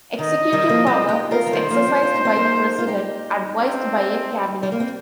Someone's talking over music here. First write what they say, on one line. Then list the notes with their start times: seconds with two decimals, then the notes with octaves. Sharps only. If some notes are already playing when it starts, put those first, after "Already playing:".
Executive power is exercised by the President, advised by a cabinet.
0.19 D#3 D#5
0.53 D#3 G3
0.69 F3 A#3
0.87 G3 C4
1.09 D#4 G4
1.31 F4 A#4
1.46 F3
1.53 D#3 G3 C5
1.70 F3 A#3
1.87 G3 C4
2.03 F4
2.14 D#4
2.25 C4
2.37 A#3 D#4
2.78 F4
2.87 D#4 G4
3.55 C4
4.63 G3
4.72 A#3
4.80 C4